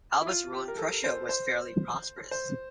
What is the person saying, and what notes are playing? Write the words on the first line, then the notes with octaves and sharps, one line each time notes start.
Albert's rule in Prussia was fairly prosperous.
E4
F4
G4
A#4
A4
C5
C5
C5